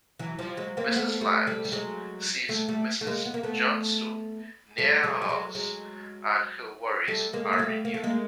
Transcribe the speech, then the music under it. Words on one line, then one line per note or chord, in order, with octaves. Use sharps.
Mrs Lyons sees Mrs Johnstone near her house and her worries are renewed.
E3 F#3
F3 G3
F#3 G#3
A#3 C4
A3 B3
G3 A3
G3 A3
G3
F#3 G#3
G3 A3
G3 A3
A3
G#3 A#3
B3
A#3
A3 B3
G3 A3
F#3 G#3
G3
F#3 G#3
F#3 G#3
G3 A3
G#3 A#3
A#3
G3 A3
A#3
A3
G#3 A#3